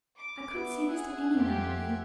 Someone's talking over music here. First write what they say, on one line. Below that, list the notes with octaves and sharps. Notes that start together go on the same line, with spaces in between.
I couldn't say this to any one but you.
D6
B3 E5
G#4 E5 F#5 G#5
F2 F4 G4